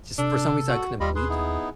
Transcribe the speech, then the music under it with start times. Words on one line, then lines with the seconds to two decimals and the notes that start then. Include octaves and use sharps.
Just for some reason I couldn't believe them.
0.18 C3 D4 A4
0.69 F#4
1.00 D#2 G3 F4 D#5 B5
1.16 G#4 B4 C6
1.29 B3 D#4 E4